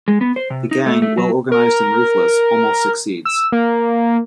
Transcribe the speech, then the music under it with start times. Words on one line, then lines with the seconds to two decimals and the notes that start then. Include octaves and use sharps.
The gang, well-organized and ruthless, almost succeeds.
0.08 G#3
0.21 B3
0.36 C5
0.50 C3
0.71 D#4
0.86 A3
1.02 A3
1.18 F#3
1.52 A#4
3.25 E6
3.52 A#3